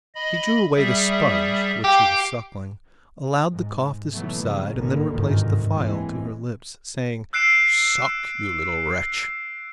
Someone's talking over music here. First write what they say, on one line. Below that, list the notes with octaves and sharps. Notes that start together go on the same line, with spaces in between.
He drew away the sponge which she was sucking, allowed the cough to subside, and then replaced the phial to her lips, saying, "Suck, you little wretch!"
D#5 B5
G3 G#4 E5
G4 F5
G#2
B2 E3 F#3 A3 B3
F2 A#2 C#3 F#3
A1 G#2 D3 D#3 A#3 B3
G1 D2 G#2 C3 D#3
F#1 E3 G#3 C4
E6 F#6 C7 D7 E7